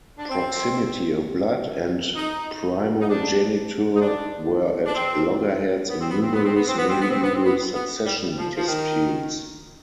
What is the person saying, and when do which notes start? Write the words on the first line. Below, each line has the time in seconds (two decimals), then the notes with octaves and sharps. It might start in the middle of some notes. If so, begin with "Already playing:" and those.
Proximity of blood and primogeniture were at loggerheads in numerous medieval succession disputes.
0.18 D4
0.29 C4
2.16 D#4
3.01 D#4
3.09 D4
3.96 D#4
4.01 D4
4.85 D4
4.95 C4
5.88 B3
6.00 C4
6.11 B3
6.22 C4
6.33 B3
6.44 C4
6.56 B3
6.67 C4
6.77 B3
6.89 C4
7.01 B3
7.11 C4
7.23 B3
7.34 C4
7.44 B3
7.74 B3
8.05 G3
8.37 F3
8.56 F3
8.67 D#3